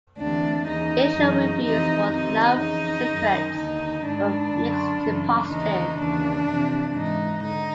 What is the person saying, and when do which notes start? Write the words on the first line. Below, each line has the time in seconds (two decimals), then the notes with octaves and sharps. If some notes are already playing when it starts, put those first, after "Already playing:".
Initial reviews for "No Secrets" were mixed to positive.
0.19 D2 C3 E3 D4
0.67 D#2 C#3 E3 D#4
1.15 F#2 C#3 E3
1.63 F2 C3 E3 D#4
2.12 F2 C3 D#3 D#4
2.60 F2 C#3 E3 D#4
3.09 F#2 D#3
3.57 D#2 D3 D#4
4.06 G#2 D#3 D4
4.54 F#2 D3
5.03 F#2 C#3 E3
5.51 D#2 C#3 E3 D#4
5.99 D#2 C#3 E3 D4
6.48 F2 C3 E3
6.96 G#2 E3 D#4
7.45 D3 D#4